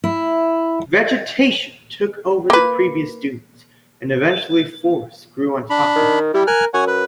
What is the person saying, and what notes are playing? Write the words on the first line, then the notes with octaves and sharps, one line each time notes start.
Vegetation took over the previous dunes, and eventually forests grew on top of them.
E4
A#3 B4
D4 B5
D#3
G3 E4 G4
A#4 G#5 F6 F#6
F#2 C#5 F#5 G#5
B4